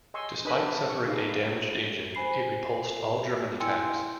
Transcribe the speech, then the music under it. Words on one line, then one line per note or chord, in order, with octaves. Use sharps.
Despite suffering a damaged engine, it repulsed all German attacks.
D#5 G#5 C6 C#6 E6
D4 A#4 B4 D#5 G#5 B5
D4
C#6
D#4 G#4 A4 B4 F5
C5 G#5 B5 C7
E4 G5 G#5 C6 E6 C#7